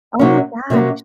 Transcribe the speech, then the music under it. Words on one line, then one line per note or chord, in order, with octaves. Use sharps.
Oh my gosh.
C3 F#3 A#3 C#4
C3 F#3 A#3 C#4